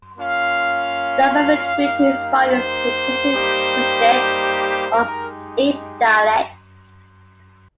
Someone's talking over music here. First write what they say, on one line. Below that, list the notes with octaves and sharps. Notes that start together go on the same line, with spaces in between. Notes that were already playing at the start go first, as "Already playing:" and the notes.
Labov attributed his findings to the perceived prestige of each dialect.
A#3 C#4 F4 F5
A#3 D#4 G4
C5
G3 A#3 D#4 G4
G#3 D#4 G4 A#4